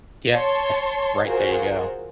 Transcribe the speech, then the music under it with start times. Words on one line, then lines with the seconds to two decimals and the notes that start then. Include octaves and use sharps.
Yes. Right, there you go.
0.34 C#5 A5 C6 C#6
1.24 F4 F#4 G#4 A#4 C5